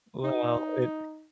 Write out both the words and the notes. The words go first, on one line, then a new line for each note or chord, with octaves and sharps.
Well, it
D#4